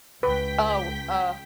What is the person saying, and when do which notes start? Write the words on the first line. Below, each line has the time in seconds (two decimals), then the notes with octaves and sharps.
Oh, uh,
0.23 C#2 B4 G5 B6